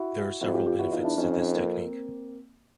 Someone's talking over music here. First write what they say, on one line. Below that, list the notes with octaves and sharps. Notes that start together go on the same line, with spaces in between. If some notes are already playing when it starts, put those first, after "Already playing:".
There are several benefits to this technique.
Already playing: E4 F#4
F2 E4 F#4
F4 G4
F4 G4
E2 E4 F#4
D#4 F4
D4 E4
F2 C#4 D#4
A#3 C4